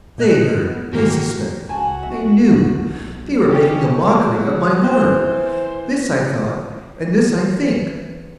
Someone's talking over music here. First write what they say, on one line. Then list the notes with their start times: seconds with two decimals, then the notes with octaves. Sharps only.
They heard!--they suspected!--they knew!--they were making a mockery of my horror!-this I thought, and this I think.
0.18 A#2 D#5 F#6
0.64 B3
0.93 G#2 D#3 E3 A#3 F#4 G4
1.69 C#2 F#4 G#5 A5
2.03 B1 E5
3.48 C#4 D#4 G4 F5
4.15 F#3 G#3
4.84 E3 C5
7.30 E3